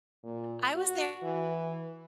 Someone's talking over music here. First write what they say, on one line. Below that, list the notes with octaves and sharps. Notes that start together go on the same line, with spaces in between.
I was there
A#2
F#4
E3